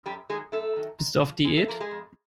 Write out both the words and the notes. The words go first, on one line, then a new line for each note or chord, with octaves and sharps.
Bist du auf Diät?
F#2 G3 G4
D#3 F#3 G#3 G#4
F#2 A3 A4
D#3 F#3
G#2
F3
G#2 G#3 G#4
A3 A4
F3 A#3 A#4
G#3 G#4
F2